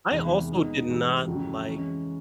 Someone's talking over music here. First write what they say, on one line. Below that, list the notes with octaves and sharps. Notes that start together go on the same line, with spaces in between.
I also did not like
E2 C3 D#3 G#3
G#3 B3 D#4
G#2 E3 G3
F2 C#3 F#3
E3 G#3 C#4